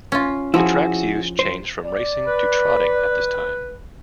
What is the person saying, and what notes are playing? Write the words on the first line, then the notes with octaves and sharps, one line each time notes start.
The track's use changed from racing to trotting at this time.
C#4 F4
F3 E4 F#4 G#4
C5
D5
B4